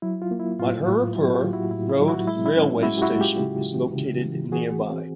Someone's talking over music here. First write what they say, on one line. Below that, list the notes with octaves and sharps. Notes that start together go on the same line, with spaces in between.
Mathurapur Road railway station is located nearby.
F#3 E4
F4
A#3
E4
A2 F4
A2 F4
F#3 E4 F#4
F4 G4
F#3
E4 F#4
A2 E4
E4
F#3
E4 F#4
G#3 E4
E4
C#4
G#3 E4 F#4
G4
E4 F#4
G#3
F4 G4
C#3
E3
C#3
E3
E3 F#4 G#4
C4